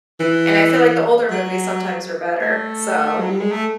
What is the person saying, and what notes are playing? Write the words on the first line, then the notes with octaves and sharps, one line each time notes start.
and I feel like the older movies sometimes are better, so
E3
F#3
A3
F#3
G3
G#3
A3